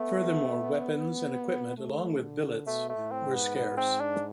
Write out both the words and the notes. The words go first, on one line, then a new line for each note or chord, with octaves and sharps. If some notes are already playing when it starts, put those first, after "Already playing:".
Furthermore, weapons and equipment, along with billets, were scarce.
Already playing: A3 B3
A3
D3
B2 A3
A3
A2
C4
G#2
B3
B3
C4
D4